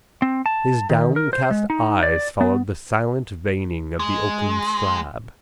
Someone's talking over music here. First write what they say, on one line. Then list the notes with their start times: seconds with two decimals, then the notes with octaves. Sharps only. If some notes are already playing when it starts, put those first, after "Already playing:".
His downcast eyes followed the silent veining of the oaken slab.
0.22 C4
0.46 A5
0.90 D#3
1.16 A#4
1.33 C5
1.51 G#3
1.70 D#4
2.03 D5
2.41 B3
4.00 G#3